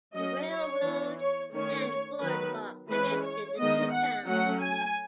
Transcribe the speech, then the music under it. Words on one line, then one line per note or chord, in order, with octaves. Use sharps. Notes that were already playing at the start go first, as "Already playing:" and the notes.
A railroad and boardwalk connected the two towns.
F#3 C#4 D#5
C#5
E3 B3
C#5
D#3 A3 C#4 C#5
D#3 F#3 B3 B4
E3 G#3 C#4 B4
C#5
D#3 G#3 B3 D#5
F#5
F#3 A3 C#4 F#5
G#5